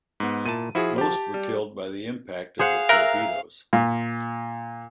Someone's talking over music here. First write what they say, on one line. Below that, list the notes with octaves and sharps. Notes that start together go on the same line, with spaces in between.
Most were killed by the impact of the torpedoes.
G#2 B3
A#2 E4 A5 D#7
F3 E4 F#4 G#4
G4 A5
G3
G#4 C5 F5 F#5
A#4 E5 A#5 F#6
A#2